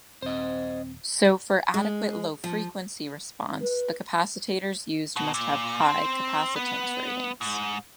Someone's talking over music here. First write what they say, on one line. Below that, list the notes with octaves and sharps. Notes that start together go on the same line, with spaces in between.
So for adequate low frequency response, the capacitors used must have high capacitance ratings.
D#1 C4 C5 D#5
G#3
F3
B4
B2
A#2
C4
B3
G#2